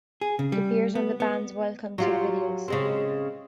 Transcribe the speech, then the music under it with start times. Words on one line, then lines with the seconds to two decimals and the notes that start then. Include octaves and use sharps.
It appears on the band's "Welcome to the Videos".
0.21 G#4
0.39 C#3
0.52 G3
0.95 B3
1.20 B3
1.98 F#3 F4 G4
2.68 C#3 G#3 C4